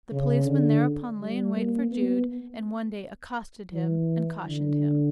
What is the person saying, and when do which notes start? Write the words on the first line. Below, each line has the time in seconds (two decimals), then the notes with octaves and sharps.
The policeman thereupon lay in wait for Jude, and one day accosted him and cautioned him.
0.11 C#3
0.46 D3
1.19 G3
1.55 A#3
1.91 B3
3.73 E3
4.46 D3